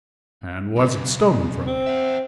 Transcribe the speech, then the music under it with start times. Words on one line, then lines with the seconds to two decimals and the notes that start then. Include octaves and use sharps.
"And was it stolen from you?"
0.76 B1 C#3
1.67 C4
1.87 E5 F#5